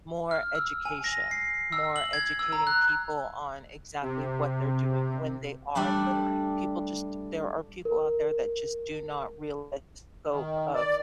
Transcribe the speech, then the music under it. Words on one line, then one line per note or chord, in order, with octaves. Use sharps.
more education, more educating people on exactly what they're doing when they are littering, people just there are people out there that just do not realize the scope of
F6
E6
G#5
A#6
C7
E6
F#7
G#6
E6
A#5
F#6
C3
G3 A3 D4 D5
A#4
D#3
D5